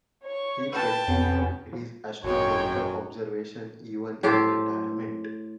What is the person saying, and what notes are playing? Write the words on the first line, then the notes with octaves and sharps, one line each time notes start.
He continued his astronomical observations even in retirement.
C#5 C#6
B4 G5 A5
F2 B3 C#4
G#1 F#2 G#3 C#5 G5
A2 G4 A4 C5